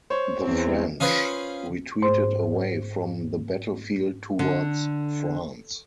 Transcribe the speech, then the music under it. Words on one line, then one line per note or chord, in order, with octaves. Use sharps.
The French retreated away from the battle field towards France.
C5 C#5
E2 C4
C#4 F4 G#4 B4 C5
G#2 C5
D3